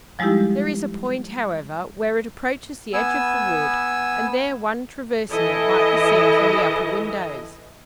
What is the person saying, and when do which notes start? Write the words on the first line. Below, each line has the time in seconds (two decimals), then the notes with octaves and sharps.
There is a point, however, where it approaches the edge of the wood, and there one traversing it might be seen from the upper windows.
0.19 F3 G3 G#3 D#4 E4 G4
2.93 B3 G#5 E6
5.31 E3 E4 A4 D#5